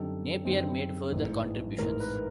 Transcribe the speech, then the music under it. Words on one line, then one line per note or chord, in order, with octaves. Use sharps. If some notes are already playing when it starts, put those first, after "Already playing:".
Napier made further contributions.
Already playing: F#2 D3 G3 C4 D#4 A4
F#2 D3 G3 C4 D#4
A1 G#2 E3
A1 G#2 E3 A#4
B4